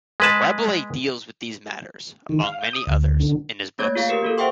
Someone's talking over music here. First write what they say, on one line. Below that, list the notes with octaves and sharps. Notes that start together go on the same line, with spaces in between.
Rabelais deals with these matters, among many others, in his books.
G#3 B4 A5
D#3
F5
G6
D#6
D2
D3
A3 A#3 C#5 G#6
F4 G#4 F5
G4 A#4 B4 C7
A#3 F#4 A4
C5 E5 F#5 G5 C6 C#6